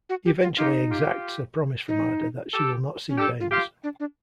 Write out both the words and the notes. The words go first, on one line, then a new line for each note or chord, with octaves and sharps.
He eventually exacts a promise from Ada that she will not see Baines.
F#4
G4
F4
D#4 F4 G4
F4 G4
D#4
G4 A4
C#4
D4 G4 A4
F4
F4 G4
D4
D4